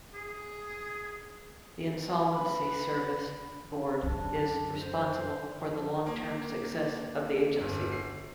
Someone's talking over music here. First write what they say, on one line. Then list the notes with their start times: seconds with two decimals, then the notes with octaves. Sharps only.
The Insolvency Service Board is responsible for the long-term success of the agency.
0.14 G#4
2.32 B4
4.03 F#2 D3 D4
4.80 C5
5.75 F3
6.06 A#3
7.61 G1
7.92 C7